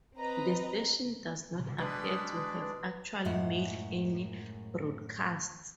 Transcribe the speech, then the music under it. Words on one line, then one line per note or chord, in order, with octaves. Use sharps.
The station does not appear to have actually made any broadcasts.
C4 B4 D#5 A#5
B2 G#3 D4 B4
F#2 A2 G#3 F#5